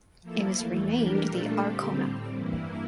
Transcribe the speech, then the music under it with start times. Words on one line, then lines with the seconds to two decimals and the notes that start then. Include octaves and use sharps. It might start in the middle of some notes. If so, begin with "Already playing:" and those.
It was renamed the "Arkona".
0.22 F3 A#3 E4 A4
0.57 E2 E3 A3
0.92 E3 G3 D4 G4 A#4
1.27 A#2 A3 D4 F4 A4
1.62 D3 G3 C4 G4
1.97 A2 G3 C4
2.33 G2 E3 A#3 E4